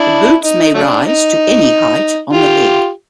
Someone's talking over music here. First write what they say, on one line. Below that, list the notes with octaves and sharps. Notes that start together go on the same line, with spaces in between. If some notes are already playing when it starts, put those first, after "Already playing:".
The boots may rise to any height on the leg.
Already playing: D4 E4
D#4
F#3 A3 D4
D#4
F4 G4